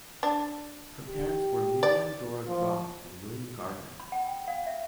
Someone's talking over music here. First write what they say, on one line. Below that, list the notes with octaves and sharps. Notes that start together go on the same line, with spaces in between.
Her parents were Miriam Dora Groth and William Gardner.
D4
G4
D5
F3
B5
F#5
G5
F5
E5